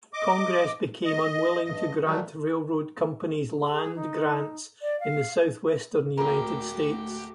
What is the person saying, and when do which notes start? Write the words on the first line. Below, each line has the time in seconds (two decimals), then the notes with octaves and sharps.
Congress became unwilling to grant railroad companies land grants in the Southwestern United States.
0.13 D#5 D6
1.05 D#5
1.65 G2 D#5
2.04 D#3 E3 F#3 G3 A3
3.71 G#4
3.95 D#4
4.82 D5
5.00 F5
6.17 D1 A#2 A3 C4 F#4 G4 A#4 B5